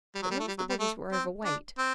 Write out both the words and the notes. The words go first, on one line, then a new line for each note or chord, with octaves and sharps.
But none of the bodies were overweight.
G3
F#3
G3
A3
G3
F#3
G3
A3
C4
D4
C4